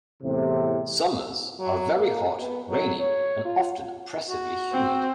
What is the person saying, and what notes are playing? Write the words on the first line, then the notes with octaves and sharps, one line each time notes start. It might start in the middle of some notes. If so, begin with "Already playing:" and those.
Summers are very hot, rainy and often oppressively humid.
E2 A2 C3
F#3
A#3
B3
F#3
C#5
F4
F#4
C4